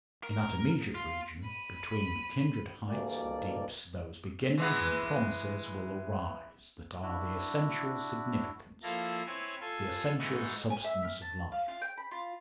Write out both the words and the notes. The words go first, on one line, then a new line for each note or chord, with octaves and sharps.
In that intermediate region between the kindred heights and deeps those beginnings and promises will arise that are the essential significance, the essential substance, of life.
A#4
F4
B5 D#7
D2 G2 B2 E3 A#3 D5
E3 G#3 B3
D4 E4 F#4
F3 A#3 E4 A4 A#5
C4 E4 B4 C#5 G#5
F4 A4 G#5
G#2 E3 G#3 D#4 F#4
G#5
E5
F6
A5
F5
F4
G5
B5
F4